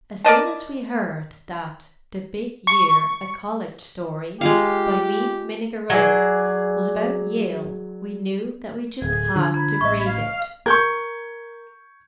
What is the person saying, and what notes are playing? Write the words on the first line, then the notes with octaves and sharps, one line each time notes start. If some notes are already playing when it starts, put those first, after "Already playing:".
As soon as we heard that "The Big Year--A College Story" by Meade Minnigerode was about Yale we knew that we just had to read it.
A#4 D5 D#5 A5
C#6
G#3 F4 G4 F5
F#3 G#4 D5
D1 G#4 G#6
D3 F3
A#5 B5 G#6
A1 D#5 E5 C#6
F5
A#4 C#6 G6 G#6